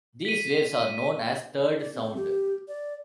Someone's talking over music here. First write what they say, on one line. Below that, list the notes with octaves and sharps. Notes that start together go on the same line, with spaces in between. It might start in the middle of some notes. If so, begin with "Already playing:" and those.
These waves are known as third sound.
B6 D#7
D5
C4
G4
D5